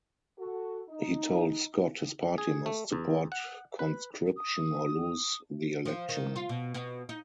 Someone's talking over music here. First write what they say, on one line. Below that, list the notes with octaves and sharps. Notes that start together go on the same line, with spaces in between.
He told Scott his party must support Conscription or lose the election.
F#4 A4
D#4
G#4
A3
E2
F#5
B4
D#6
F3
D#3
F4
B2
B2
D#4